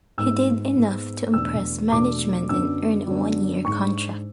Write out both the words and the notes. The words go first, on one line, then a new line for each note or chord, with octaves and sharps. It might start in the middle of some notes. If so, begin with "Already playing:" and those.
He did enough to impress management and earn a one-year contract.
G#2 G#3 B3 E6
G#2 G#3 B3
E2 B2 A3 D4 E6
E2 B2 A3 D4 D6
F#2 D3 F#3 B3 D4 E6
F#2 D3 F#3 B3 D4
G#2 G#3 D4 C#6